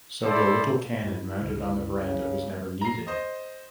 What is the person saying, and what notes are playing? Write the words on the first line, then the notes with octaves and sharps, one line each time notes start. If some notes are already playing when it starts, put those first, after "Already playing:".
So the little cannon mounted on the verandah was never 'needed.
E4 A4 C5 D5
G2 E4
C#2 G2 D3
C#3
A#5 C7
C5 D#5